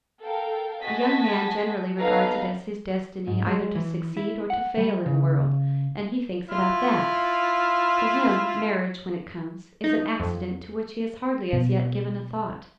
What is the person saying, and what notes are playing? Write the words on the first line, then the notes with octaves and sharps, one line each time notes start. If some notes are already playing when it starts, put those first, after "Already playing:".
A young man generally regards it as his destiny either to succeed or to fail in the world, and he thinks about that. To him marriage, when it comes, is an accident to which he has hardly as yet given a thought.
A4 A#4 F5 G5
F#4 D#5 G#5 A5 A#6 B6
B3 D#4 A4 B4 F5 A#5
G#2
G#3
E3
E4
F#5
G3
C#3
E4 F4 F6
D#4
F2
B2